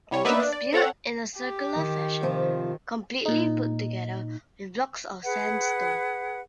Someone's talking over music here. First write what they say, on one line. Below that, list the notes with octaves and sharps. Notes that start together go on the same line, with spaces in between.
It's built in a circular fashion, completely put together with blocks of sand stone.
C2 G3 C#5
A#3 B3 D#4 B4 D5 E5
D4
D5
C4 A4 C#5 F#5
G4
D#3
C3 F3
A#2 D#4
G#4 B4 F#5